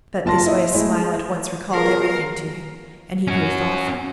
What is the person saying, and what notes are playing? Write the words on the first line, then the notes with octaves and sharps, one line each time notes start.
But this joyous smile at once recalled everything to him, and he grew thoughtful.
F#1 F4 A5 C6 A#6
E4 D#5
G#3 A3 E4
B2 F4 G#4 A#4 F5
C#4 F#4